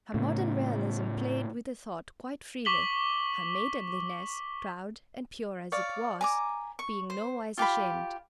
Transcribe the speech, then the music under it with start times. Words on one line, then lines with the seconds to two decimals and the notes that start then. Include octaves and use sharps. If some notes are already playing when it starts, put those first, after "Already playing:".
Her modern realism played with the thought quite freely; her maidenliness, proud and pure as it was, being nowise ashamed.
0.14 A2 C#3
2.65 C#6 D6 B6 F#7 G7
5.72 C#5 D5 F5
6.21 G#5 A#5 D6
6.79 C#6
7.10 C5
7.58 F4 G4 F5 B5